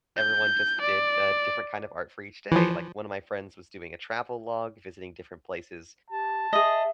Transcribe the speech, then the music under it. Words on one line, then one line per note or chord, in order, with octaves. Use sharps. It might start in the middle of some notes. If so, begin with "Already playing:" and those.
everyone just did a different kind of art for each day. Like, one of my friends was doing a travel log, visiting different places
G6
D5
E3 F3
G4 A5
G#4 D#5 E5